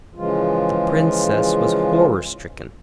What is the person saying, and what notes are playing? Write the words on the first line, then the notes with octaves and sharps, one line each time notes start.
The Princess was horror-stricken.
C#3 E3 F3 G#3 F4